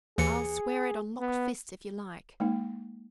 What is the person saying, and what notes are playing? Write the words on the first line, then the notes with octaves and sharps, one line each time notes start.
'I'll swear it on locked fists, if you like.
D#2 E3 G#4 C#7
B3
G#3 A#3 D#4